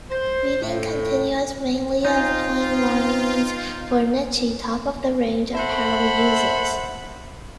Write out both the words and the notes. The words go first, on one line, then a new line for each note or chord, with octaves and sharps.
Weaving continues mainly of plain linens for niche, top of the range, apparel uses.
C5
A2
C4 D#4 F4
A4 C5 E5 F#5 B5